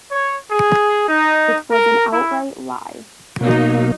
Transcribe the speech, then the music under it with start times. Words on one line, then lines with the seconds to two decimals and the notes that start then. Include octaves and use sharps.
It was an outright lie.
0.11 C#5
0.49 G#4
1.07 D#4
1.71 A#4
2.12 E4
3.41 B2 F#3 A#3 D#4